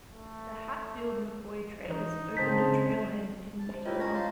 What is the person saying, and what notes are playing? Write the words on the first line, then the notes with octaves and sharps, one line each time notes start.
The Hatfield-McCoy Trails opened a trail head in Matewan.
A3
E3 D#4
C#3 G#3 C4 C5 A5 G6 B6
A5
C5
E4 F4 G4 A#4 C#5 D#5
G#3 C#4 D4 C#5 A#5 A#6 B6
C5 F5 A5